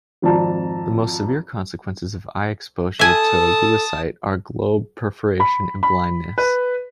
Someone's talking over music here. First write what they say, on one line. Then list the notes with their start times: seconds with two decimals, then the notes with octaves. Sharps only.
The most severe consequences of eye exposure to lewisite are globe perforation and blindness.
0.22 G#1 F2 D5 A5 A#5
2.99 A4 E5 G#5 A5 D#6
5.40 B5
5.83 B5
6.38 B4